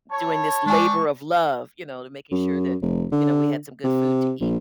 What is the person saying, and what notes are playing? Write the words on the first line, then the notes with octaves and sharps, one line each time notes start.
doing this labor of love, you know, to making sure that, you know, we had some good food to eat.
E4 C#5 A5
G#3 C4 D4 G#5 C#6
F#2
F1
D3
C3
A#1